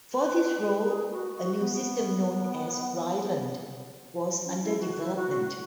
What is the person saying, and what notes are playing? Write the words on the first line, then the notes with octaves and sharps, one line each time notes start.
For this role a new system known as "Rheinland" was under development.
B4
G#4
F#4
F#4
B3
C#4
E4
F#4
E4
F#4